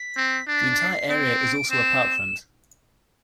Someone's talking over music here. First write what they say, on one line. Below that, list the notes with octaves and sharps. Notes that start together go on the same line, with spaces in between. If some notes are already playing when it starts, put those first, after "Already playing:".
The entire area is also a parkland.
Already playing: B6
C4
D4 A6
B6
A6
C7
C4 D7
D7
C4 E7